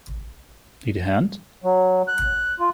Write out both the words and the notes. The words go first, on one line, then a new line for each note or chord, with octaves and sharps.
Need a hand?
F#3
F#6
F4